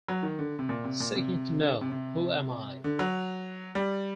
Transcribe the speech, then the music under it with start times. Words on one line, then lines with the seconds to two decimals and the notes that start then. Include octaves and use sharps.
Seeking to know: 'Who am I?
0.08 F#3
0.23 D#3
0.39 D3
0.59 C3
0.69 A#2
0.84 C3
1.00 A#2
1.16 C3
1.61 D3
1.81 C3
1.92 C3
2.84 D3
2.99 F#3
3.75 G3